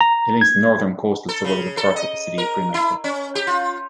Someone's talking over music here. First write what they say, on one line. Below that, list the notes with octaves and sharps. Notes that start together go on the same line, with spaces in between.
It links the northern coastal suburbs of Perth with the city of Fremantle.
A#5
G#6
A4
C#3
A4
D#5
A#4
E4
C#4
G4
F4